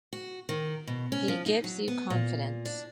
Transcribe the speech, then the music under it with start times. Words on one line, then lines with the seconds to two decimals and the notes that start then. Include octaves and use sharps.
He gives you confidence.
0.13 F#4
0.49 D#3
0.87 B2
1.12 C#4
1.28 F3
1.46 D#4
1.64 F#3
1.88 B3
2.10 A#2
2.65 D4